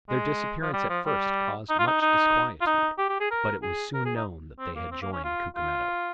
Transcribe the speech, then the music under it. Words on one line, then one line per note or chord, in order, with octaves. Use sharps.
Their disappearance at first caused much disquietude; but it was soon known that they had joined Cucumetto.
G#3
F3
G3
F3
G3
D#4
F4
D#4
D#4
F4
D#4
G4
G4
G#4
A#4
G#4
A#4
G#4
D#4
C4
A#3
C4
A#3
C#4
F4
F4